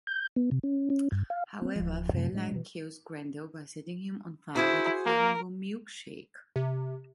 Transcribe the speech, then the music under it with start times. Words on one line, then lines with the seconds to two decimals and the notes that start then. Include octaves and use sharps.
However, Fairlane kills Grendel by setting him on fire with a flammable milk shake.
0.07 G6
0.36 B3
0.51 C3
0.63 C#4
0.90 C#4
1.12 G2
1.30 F5
1.62 A#3 C4
1.76 D1 F3
2.13 F#2 C3 F#3 A3
2.32 A2 F3 G#3 D4
2.52 B2 E3
4.56 E4 F#4 G#4 C5
5.06 A#3 A#4
6.56 C3